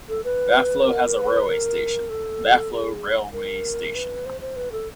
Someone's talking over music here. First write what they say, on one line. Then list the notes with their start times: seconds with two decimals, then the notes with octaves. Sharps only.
Baflo has a railway station - Baflo railway station.
0.09 A4
0.24 B4
0.86 A#4
1.17 B4
1.48 A#4
2.10 A4
2.71 G#4
3.33 A#4
3.95 B4
4.26 C5
4.41 C5
4.56 B4
4.72 A4